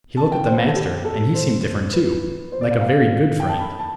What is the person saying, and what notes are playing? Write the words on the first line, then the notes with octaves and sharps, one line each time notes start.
He looked at the master, and he seemed different, too,--like a very good friend.
A5
G5
C5
B4
A4
G4
A4
C5
B4
C5
D5
F5
F5
G5
A5
B5
A5